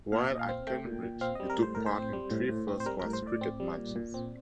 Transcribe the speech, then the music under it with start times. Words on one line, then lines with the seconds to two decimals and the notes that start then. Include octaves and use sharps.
While at Cambridge he took part in three first-class cricket matches.
0.12 A#2 F5
0.30 A#2
0.35 D#5
0.39 F5
0.49 C4
0.67 A3 G5
0.85 A#2
1.03 A#2
1.21 C4 F5
1.35 G3 D#5
1.50 A#4
1.58 A2 C5
1.75 A2 A#4
1.86 C5
1.95 C4
2.13 G3
2.31 A2
2.49 A2
2.68 C4
2.80 C5
2.86 G3 A#4
2.99 A2 A#4
3.13 C5
3.22 A2 D5
3.41 C4
3.60 G3
3.77 A#2
3.96 A#2
4.14 C4